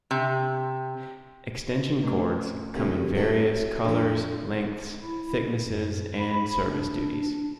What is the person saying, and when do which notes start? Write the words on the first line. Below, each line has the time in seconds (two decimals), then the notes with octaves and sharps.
Extension cords come in various colors, lengths, thicknesses and service duties.
0.11 C3
2.03 A3 C#4 B4
2.75 D2 C3 C4 G4 A#4
3.15 A2 F#3 A3
3.85 F2 G#3 D4 A4
5.03 E4
5.63 F#2
6.18 B5
6.64 D4